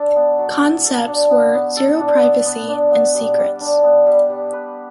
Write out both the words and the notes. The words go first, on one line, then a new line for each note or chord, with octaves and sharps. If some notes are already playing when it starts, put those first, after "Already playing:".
Concepts were "Zero privacy" and secrets.
Already playing: D4 A4
B3
F#3
A4
A4
D4
B3
B3
A4
D4
B3
B3
D4
B3
G3
G3
D4
B3
G3
G3
B4